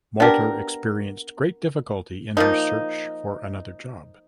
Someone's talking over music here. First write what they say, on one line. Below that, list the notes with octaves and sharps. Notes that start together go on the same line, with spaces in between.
Walter experienced great difficulty in her search for another job.
B3 D4 G4 A#4
F3 A#3 D#4